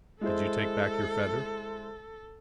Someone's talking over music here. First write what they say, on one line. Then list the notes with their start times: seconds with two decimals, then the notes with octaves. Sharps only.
Did you take back your feather?
0.21 G#3 E4 A4 C5